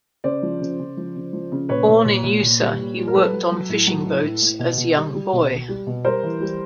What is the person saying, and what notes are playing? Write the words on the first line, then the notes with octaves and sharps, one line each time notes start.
Born in Usa, he worked on fishing boats as young boy.
C#3 C5 D5
F3
C#3
C#3
F3
C#3
F3
C#3
A#2 B4 C#5
A#2
A#2
A#2
A#2
G3
A#2
G3
A#4
F#3 A4 B4
F#3
F#3
A2
F#3
A2
A2
A2
B2
B2
G3
G3
B2
B2
G3
B2
G3 A#4 C5
E3
G3